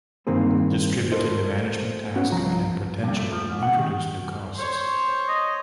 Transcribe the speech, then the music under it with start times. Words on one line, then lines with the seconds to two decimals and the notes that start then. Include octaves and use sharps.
Distributing the management task can potentially introduce new costs.
0.27 G2 D#3 A#3 C4 G#4
1.12 A4 A#4 C5 D#5
2.16 B3 C#4 F#4
2.32 C2 F3 A#5
3.03 G2
3.17 A3
3.32 F3
3.51 G#2
3.63 F#5
3.76 D#3
4.56 C5 C#5
5.28 D#5